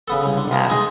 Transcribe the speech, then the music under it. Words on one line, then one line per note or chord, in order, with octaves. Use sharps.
Yeah, m
C#3 B3 A4
C2 C#3
D3
B3 F4
G#3 D#4 G#4